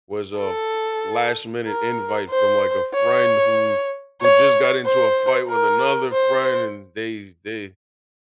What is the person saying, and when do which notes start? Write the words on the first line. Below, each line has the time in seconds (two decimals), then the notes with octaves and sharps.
was a f last minute invite from, like, a friend who's, who just got into a fight with another friend, and they they
0.39 A4
1.66 A#4
2.30 C5
2.94 C#5
4.21 C#5
4.85 C5
5.48 A#4
6.12 C5